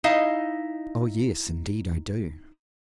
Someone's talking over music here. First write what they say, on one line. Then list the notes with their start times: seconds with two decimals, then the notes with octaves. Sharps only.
"Oh, yes, indeed I do!"
0.04 D#4 E4 D#5 F5